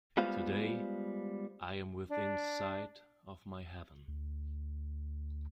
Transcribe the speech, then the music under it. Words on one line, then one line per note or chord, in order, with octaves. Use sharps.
Today, I am within sight of my heaven.
G3 G#3 B3 F4 C5 F5
D4
D2